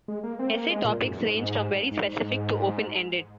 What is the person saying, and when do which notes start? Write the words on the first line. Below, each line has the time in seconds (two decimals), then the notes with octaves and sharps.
Essay topics range from very specific to open-ended.
0.08 G#3
0.23 A#3
0.39 C4
0.54 A#3
0.69 G#3
0.84 A#2
1.00 G#2
1.09 F#2
1.18 G#2
1.91 G#2